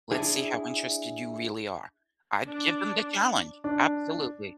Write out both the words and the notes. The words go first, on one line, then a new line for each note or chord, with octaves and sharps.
let's see how interested you really are. I'd give them the challenge, absolutely.
D4 E4 G#4
D4
D4